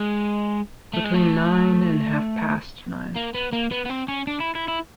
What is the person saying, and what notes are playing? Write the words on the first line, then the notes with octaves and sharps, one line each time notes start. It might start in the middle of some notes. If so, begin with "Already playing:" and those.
Between nine and half-past nine.
Already playing: G#3
A3
G#3
A3
A#3
B3
A#3
B3
B3
C4
C#4
D4
E4
E4
E4